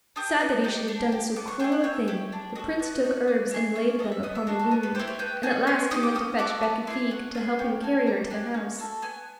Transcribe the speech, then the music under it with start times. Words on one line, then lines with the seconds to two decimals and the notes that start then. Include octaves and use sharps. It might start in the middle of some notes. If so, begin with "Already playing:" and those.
Sad that he should have done so cruel a thing, the Prince took herbs and laid them upon the wound, and at last he went to fetch Becafigue to help him carry her to the house.
0.16 D4 G4 D#6
0.40 B3
0.64 D#4 G4
0.88 D4
1.12 G4
1.36 B3 D6
1.48 C#6
1.60 G#4 G5
1.64 E4
1.72 F#5
1.84 C4 C#5
2.08 E4 G4
2.32 D4 D5
2.55 F#4 D#5
2.59 A4
2.80 B3 D5
3.03 D#4 F#4
3.28 B3 D5
3.51 E4 G#4 C#5
3.75 C#4 C#5
3.88 D5
3.99 A4 D#5
4.03 F#4
4.12 E5
4.23 B3 D#5
4.35 E5
4.47 D4 F#4 A4 D#5
4.59 A4
4.71 B3 A#4
4.83 B4
4.95 E4 G4 C5
5.07 C#5
5.19 B3 G5
5.43 D#4 F#4 G#5
5.67 B3 C6
5.79 C#6
5.91 D#4 G4 D#6
6.03 D6
6.15 C#4 D#6
6.39 F#4 A4 D6
6.63 B3
6.87 E4 G#4 C6
7.11 C#4 F#5
7.35 F4 G#4 F#5
7.59 C#4 G5
7.83 F#4 A4 G#5
8.06 A#3 A#5
8.30 D4 G4 G#5
8.54 C#4
8.79 F#4 A4
9.02 B3 G#5